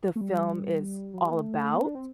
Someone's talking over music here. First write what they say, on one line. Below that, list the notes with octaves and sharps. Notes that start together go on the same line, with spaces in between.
the film is all about.
A3
G3
F#3
G3
B3
A3
B3
D4
C4